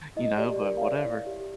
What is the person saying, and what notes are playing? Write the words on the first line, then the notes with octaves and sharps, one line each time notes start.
you know, but whatever.
E4 D#5
G4 D5
A#4 D5
F5
C#5 D5 E5
E4
G4